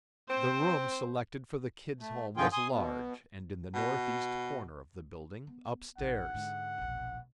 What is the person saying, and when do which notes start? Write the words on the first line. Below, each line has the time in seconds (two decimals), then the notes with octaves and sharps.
The room selected for the "Kid's" home was large, and in the northeast corner of the building, upstairs.
0.30 C4 C5
2.01 A3
2.37 F#2 D3 F3 F4 G#4 G5
2.52 G#5 C6 D#6
2.69 B2
3.74 B2
5.47 B3
5.98 A1 D#4 F#5
6.34 G#2 D3
6.78 E1 A#1